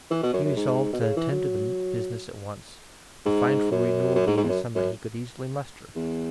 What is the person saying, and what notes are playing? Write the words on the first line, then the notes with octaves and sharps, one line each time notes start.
He resolved to attend to the business at once, the fine for renewal being a sum that he could easily muster.
E3
B2
F#2
F#2
G#2
B2
C#3
E3
F#3
G#2
F#2
F#2
G#2
G#2
E2
F#2
F#2
E2